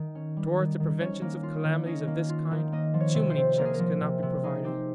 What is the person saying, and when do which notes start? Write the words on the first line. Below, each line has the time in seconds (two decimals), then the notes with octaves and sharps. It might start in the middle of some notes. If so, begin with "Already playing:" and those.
Towards the preventions of calamities of this kind, too many checks cannot be provided.
Already playing: D#3
0.15 C#4
0.37 G3
0.58 D#3
0.80 D#3
1.01 C#4 C#5
1.22 A#3
1.43 F4
1.65 D#3
1.86 C#4 D#5
2.07 A#3
2.29 F4
2.51 D#3
2.72 A#3 D#5
2.94 F3
3.00 C#5
3.15 C3
3.30 C5
3.37 C3
3.58 A#3 A#4
3.65 G#4
3.74 A#4
3.79 F3
4.01 C3
4.23 C3
4.43 D#4 G#4
4.65 C4 G4